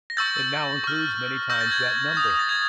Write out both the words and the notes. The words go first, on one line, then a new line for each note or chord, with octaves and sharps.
It now includes many times that number.
A#6
C#6 E6 G6 A6
C#6 F6
C#6 E6 G6 A#6
A6
G#6
D#6 G6
A#6
A6
G#6